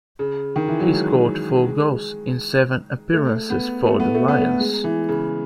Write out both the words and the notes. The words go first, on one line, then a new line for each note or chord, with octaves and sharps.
He scored four goals in seven appearances for the Lions.
C#3
D#3
E3
F#3
G#3
G#3
A3
B3
A3
B3
A3
B3
A3
G#3
E3
C#3